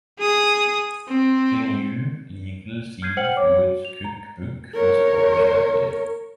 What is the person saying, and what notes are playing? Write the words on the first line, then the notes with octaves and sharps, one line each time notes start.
The New Legal Sea Foods Cookbook was published that year.
G#4 D#6
C4
F6 G6 G#6 C7 D#7
C5 F#5 G5 F6 C#7 F#7
C#5 D6
F#4
F7
A#5
A#4 C#5